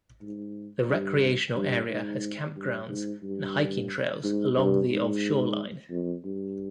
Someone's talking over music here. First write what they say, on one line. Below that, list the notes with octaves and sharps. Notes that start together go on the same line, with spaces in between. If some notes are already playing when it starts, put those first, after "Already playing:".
The recreational area has campgrounds and hiking trails along the of shoreline.
G#2
G2
G2
G#2
G2
G#2
G2
G#2
G2
G#2
F2
G2